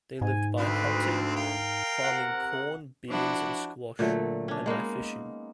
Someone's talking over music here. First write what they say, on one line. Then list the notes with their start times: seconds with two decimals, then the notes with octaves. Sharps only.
They lived by hunting, farming corn, beans, and squash, and by fishing.
0.21 G#2 G#5
0.58 D2 C4 B4
1.36 A#4 F5 G5
2.03 C3 F#5
3.08 F3 D4 E4 F#4
3.99 A#2 D3 F#3 A3
4.48 C#4 D4
4.66 G#3 A#3 B3 D#4